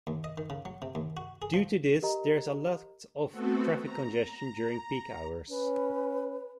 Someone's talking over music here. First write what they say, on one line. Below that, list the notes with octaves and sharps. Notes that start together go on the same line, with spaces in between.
Due to this there is a lot of traffic congestion during peak hours.
D#2
D#5
D#3
C#3
F#3
C3
D#2
F#4
G#4
F3
G4 A#4 D#5 A#5
A3 B3 C4 F#4 A4
A#5
C#4 B4